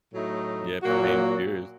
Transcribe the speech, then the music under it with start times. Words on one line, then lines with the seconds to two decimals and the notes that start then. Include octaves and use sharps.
yep, staying curious.
0.13 A2 F#3 A3 D#4
0.82 A#2 F#3 A#3 F#4